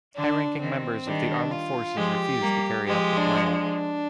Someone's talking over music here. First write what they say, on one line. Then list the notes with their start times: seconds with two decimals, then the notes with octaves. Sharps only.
High-ranking members of the Armed Forces refused to carry out the Plan.
0.16 D3 D4
0.61 D#3 C4
1.07 D#3 G3 D4
1.52 F4
1.96 F3 G#3 G4
2.41 G3 A#3
2.87 F3 G#3 G4
3.17 D4
3.46 D4